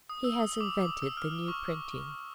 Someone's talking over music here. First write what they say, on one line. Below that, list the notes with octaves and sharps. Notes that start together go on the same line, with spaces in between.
He has invented the new printing.
D#6
E6
D#6
D6
D6
E6
F6
C#6